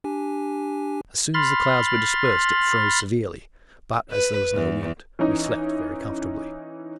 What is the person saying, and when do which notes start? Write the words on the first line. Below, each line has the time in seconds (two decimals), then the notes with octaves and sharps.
As soon as the clouds were dispersed it froze severely; but as there was no wind, we slept very comfortably.
0.04 D4 G4 G#5
1.34 B5 C6 F6 A6
4.12 B4
4.54 E2
5.19 E3 C#4 D#4